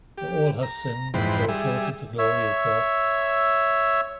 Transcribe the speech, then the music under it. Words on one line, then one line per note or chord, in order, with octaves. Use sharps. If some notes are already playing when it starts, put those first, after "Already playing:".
For all have sinned and fall short of the glory of God.
G4
A#5
F2 G#2 E3 G5 B5 C6
G3 G#4 E5
C#5 E5 E6